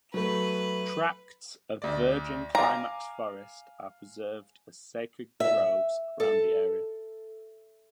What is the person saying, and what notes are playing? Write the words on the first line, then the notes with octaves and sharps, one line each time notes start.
Tracts of virgin climax forest are preserved as sacred groves around the area.
F#3 A3 B4
D2 D5
F5 G#5 A#5 D6
E5
A4